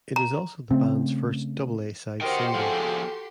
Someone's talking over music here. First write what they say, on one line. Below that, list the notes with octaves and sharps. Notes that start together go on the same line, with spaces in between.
It is also the band's first double A-side single.
A#5
C#3 A3 C4
F#4 G4 A#4 C5 D#5 F#5 G5 C6
F3 G#4 A4